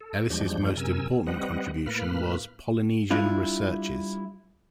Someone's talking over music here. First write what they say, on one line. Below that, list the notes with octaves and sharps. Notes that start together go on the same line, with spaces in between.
Ellis' most important contribution was "Polynesian Researches".
A4
E2 F3 G3 G#3 D4 G6
F#2 C3 A#4 G#5 E6
G3 C4 B4 D#5 F#5
A2 A#3 B4 B5 F6
G3 D4 E4 F4